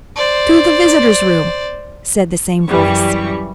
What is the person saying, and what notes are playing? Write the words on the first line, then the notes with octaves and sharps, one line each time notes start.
"To the visitors' room!" said the same voice.
C5 D5
F#2 E3 G3 C#6